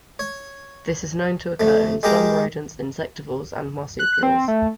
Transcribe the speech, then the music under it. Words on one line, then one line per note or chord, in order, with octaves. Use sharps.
This is known to occur in some rodents, insectivores and marsupials.
C#5
F2 A3
G#3 G4 A#4 A#5
F#6
C4
A3